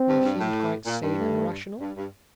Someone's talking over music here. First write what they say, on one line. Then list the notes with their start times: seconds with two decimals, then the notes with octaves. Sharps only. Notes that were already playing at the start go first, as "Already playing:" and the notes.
"He seemed quite sane and rational?"
Already playing: C4
0.09 G2
0.25 G2
0.40 A2
0.86 A#2
1.03 G2
1.18 A3
1.81 G2
1.97 G2